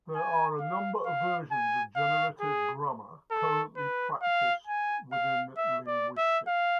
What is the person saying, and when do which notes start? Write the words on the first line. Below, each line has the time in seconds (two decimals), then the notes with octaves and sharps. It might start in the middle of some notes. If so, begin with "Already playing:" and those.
There are a number of versions of generative grammar currently practiced within linguistics.
0.15 G#5
0.60 F5
1.05 F5
1.51 G#5
1.96 F5
2.41 G#4
3.31 A4
3.77 B4
4.22 F5
4.67 G#5
5.13 F5
5.57 E5
5.87 D5
6.18 E5
6.47 F5